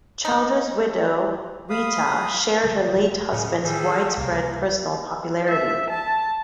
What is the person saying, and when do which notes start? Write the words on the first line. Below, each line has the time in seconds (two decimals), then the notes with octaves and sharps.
Childers's widow, Rita, shared her late husband's widespread personal popularity.
0.25 D#4
1.70 F5 B5 D#6
2.64 D3 F#3 A#3
2.95 E1 G3
3.32 A2 C#3 D#4
3.64 D#3 G3 G#4 A4
4.17 C#2 C3 G3 A#3
5.49 E5
5.90 A5